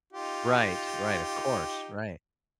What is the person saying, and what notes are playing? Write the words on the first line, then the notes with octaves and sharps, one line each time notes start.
Right, right, of course, right.
D#4 F4 G4